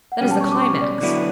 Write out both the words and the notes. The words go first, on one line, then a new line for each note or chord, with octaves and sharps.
That is the climax.
F#5
B2 G3 C#4 G5
A5
C#6
D6
C#6
D5
D3 F#3 B3 E4 D5